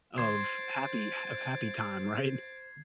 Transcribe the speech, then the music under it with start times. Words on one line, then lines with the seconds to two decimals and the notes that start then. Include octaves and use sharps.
of happy ha of happy time. Right?
0.18 C5 C6 G#6 A6 C7 D7